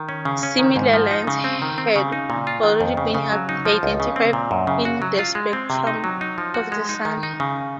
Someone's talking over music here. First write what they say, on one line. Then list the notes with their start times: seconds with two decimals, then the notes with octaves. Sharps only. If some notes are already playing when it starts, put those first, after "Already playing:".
Similar lines had already been identified in the spectrum of the Sun.
Already playing: D#3
0.09 C#4
0.25 C#3
0.43 C#4
0.59 D#3
0.76 G#2
0.93 F3
1.11 D#4
1.27 C#3
1.44 C4
1.62 D#3
1.78 C4
1.96 C#3
2.12 D#4
2.30 A#2
2.47 F4
2.63 D#3
2.81 F2
2.97 C#3
3.15 C#3
3.32 F#3
3.49 D#4
3.65 F3
3.83 C#2
4.00 C#3
4.16 C4
4.33 A#2
4.51 F#2
4.67 C#3
4.85 F#4
5.02 F#3
5.19 F4
5.35 G#3
5.53 C4
5.70 C3
5.87 D#4
6.04 F#3
6.21 D#4
6.38 F3
6.54 F#4
6.72 G#3
6.89 D#4
7.05 D#3
7.23 D#4
7.40 C#3